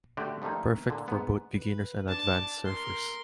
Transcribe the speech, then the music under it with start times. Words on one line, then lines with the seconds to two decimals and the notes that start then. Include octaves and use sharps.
Perfect for both beginners and advance surfers.
0.17 D3 A3 F#4 G4
0.42 F3 G3 A3 A#3 D#4
0.90 A#2 D3
1.08 G#2 B3
1.56 B4
2.06 D4 A5
2.65 A#4 C6